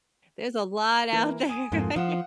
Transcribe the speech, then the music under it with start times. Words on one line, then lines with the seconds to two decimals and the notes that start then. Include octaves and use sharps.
There's a lot out there, yeah.
1.13 E3 A#3
1.49 G#5 D#6 D#7
1.72 F2 G#2 A#3
1.96 F3 F5 F#5 E7